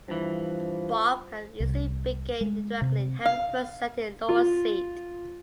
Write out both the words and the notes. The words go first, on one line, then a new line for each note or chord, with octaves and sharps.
Barf can easily be gained indirectly, having first ascended Lord's Seat.
G2 E3 F3
C2
G#3
C3
F5
F4